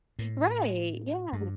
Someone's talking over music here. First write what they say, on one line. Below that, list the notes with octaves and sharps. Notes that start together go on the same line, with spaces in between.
Right. Yeah.
A2
G2